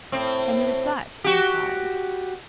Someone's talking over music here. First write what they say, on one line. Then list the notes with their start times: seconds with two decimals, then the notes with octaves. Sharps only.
"Can you recite?" he inquired.
0.12 A2 C4
1.24 F#4 G4